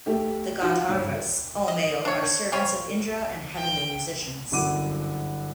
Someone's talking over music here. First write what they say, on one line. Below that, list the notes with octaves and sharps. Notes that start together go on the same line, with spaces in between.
The Gandharvas, all male, are servants of Indra and heavenly musicians.
A3 G4
F4 F#4
G1
D#5
D4 C#5
C#3 C4 C#4 C#5
G5
G1 F#2 E4 F#5 D6 D#7